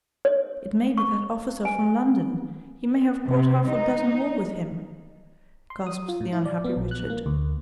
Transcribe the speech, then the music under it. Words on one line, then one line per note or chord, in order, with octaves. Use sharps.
"It may be that officer from London; he may have brought half a dozen more with him!" gasped the unhappy Richard.
C#5
C#6
G#5
C3
D#4
C6
D#6
F4
A2
E4
D5
B3
A#1
F#6
A#3
D2